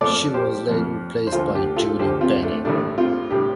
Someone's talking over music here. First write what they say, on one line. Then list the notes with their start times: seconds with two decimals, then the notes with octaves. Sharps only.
She was later replaced by Julie Bennett.
0.01 F2 F3 A4 D5
0.34 G4 C5
0.67 F2 F3
1.27 C5
1.32 D2 D3 F3 F4 A4
1.55 D4 G4
1.76 F4 A4
1.99 D2 D3 F3 G4 C5
2.21 C4 F4
2.43 A3 D4
2.65 A1 A2 G3 A3 D4
2.98 C4 F4
3.30 A2 G3 D4 G4